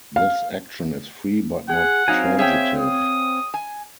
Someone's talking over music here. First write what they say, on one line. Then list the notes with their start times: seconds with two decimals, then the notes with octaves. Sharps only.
This action is free but not transitive.
0.16 F5
1.70 G#4 F#5
2.08 F#3 C4 D#4 F5 G#5
2.38 G#4 C#5 E5 G5
2.79 D#6
3.54 G#5